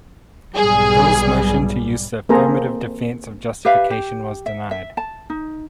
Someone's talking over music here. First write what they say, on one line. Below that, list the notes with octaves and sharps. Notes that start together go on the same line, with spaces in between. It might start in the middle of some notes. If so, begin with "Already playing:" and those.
Hill's motion to use the affirmative defense of justification was denied.
B1 G#2 G3 G#4
A#3 C4 G#4 A4 C5 A#5
G4 B4 E5 F5
G4
E5
E5
A5
D#4